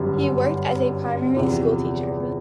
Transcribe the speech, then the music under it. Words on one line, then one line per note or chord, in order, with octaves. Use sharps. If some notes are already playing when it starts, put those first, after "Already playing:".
He worked as a primary school teacher.
Already playing: G1 F#2 D3 G3
E2 C3 F3